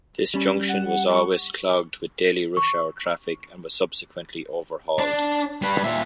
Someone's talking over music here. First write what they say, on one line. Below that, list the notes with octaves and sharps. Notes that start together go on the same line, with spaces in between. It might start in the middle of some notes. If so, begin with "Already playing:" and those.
This junction was always clogged with daily rush hour traffic and was subsequently overhauled.
G3 C#4 B5
F#5
C#6
C#6
D4 D5
G3 B4
A#2 E5